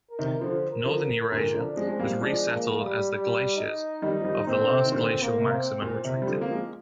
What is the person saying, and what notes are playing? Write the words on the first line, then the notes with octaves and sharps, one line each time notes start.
Northern Eurasia was resettled as the glaciers of the last glacial maximum retreated.
A#4
C3 D#3
D3 F3 C5
A#4
D3 F3
A#4
A#2 D3 A#4
D3 F3
D4
F3 G#3
G#3 C4
G3 A#3
F3 G#3 D4
A#3
G3
G3
D#4
D#3 G3 D#4
F3
D#3 G3
A#2 C4
D3
C3
D#3
A#2 D3 C4
A#3
C3
C4
A#2 C4
C3
G3
D3 F3
A#3
F3 G#3